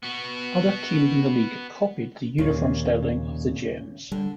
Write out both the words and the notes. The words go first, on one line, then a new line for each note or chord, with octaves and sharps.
Other teams in the league copied the uniform styling of the Gems.
B3 F#4
D#2 A#2 C#3
D3 G3